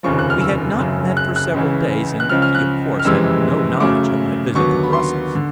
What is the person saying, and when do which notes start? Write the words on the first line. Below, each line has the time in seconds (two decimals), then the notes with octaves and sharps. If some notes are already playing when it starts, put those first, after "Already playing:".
We had not met for several days, and he, of course, had no knowledge of my visit to Brussels.
0.03 F1 D#2 C#3 F3 C#6
0.19 F#6
0.30 F6
0.41 E6
0.79 F#1 F#2 C#3
1.17 F#6
1.36 F#6
1.54 C#2 C#3 E3
2.20 F#6
2.29 C#2 C#3 F3 F6
2.42 F6
2.55 F#6
2.99 F6
3.05 F#1 F2 C3 E3 G#3 E6
3.80 F#2 C#3 F#3 A3 D6
4.55 D#2 D3 F#3 B3 C#6
4.83 B5
4.93 C6
5.35 D3